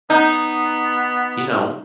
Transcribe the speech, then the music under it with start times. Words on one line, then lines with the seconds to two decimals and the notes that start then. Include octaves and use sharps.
you know,
0.10 B3 D#4